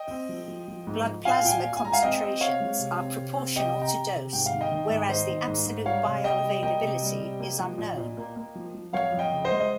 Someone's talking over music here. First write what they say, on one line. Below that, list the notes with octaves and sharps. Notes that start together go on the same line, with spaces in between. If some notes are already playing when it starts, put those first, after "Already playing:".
Blood plasma concentrations are proportional to dose, whereas the absolute bioavailability is unknown.
Already playing: D#5 G5
C4
F3
F3
F3
G#2
F3
A#2 F5 G#5
A#2 G5
F5 G#5
A#2
G#5
G#3 A#5
F5 G#5
C4 D#5 G5
C4
C4 C#5 F5
G#3
C3
C4
C3
C4
C3 D#5 G5
C3
G5 A#5
C3
C3
G#2 G5
F5
D#3
D#5 G5
D#3
G#2
D#3 C5 D#5
D#3
G#2
G#2
G3 C#5 F5
C3
C3 D#5 G5
G3
A#3 D#5 G5
C3
G3
C3
A#3
F3
A#2
A#2
A#3
A#3
F3
F3
F2 C#5 F5
F2
D#5 G5
C#3
C5 D#5
G#3
D#5